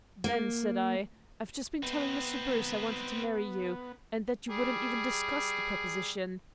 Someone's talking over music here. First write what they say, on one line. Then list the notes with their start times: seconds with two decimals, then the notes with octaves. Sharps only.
'Then,' said I, 'I've just been telling Mr. Bruce I wanted to marry you, and that you wouldn't even discuss the proposition.
0.24 A#3
1.83 B3 C4 D#4
4.49 G3 G#4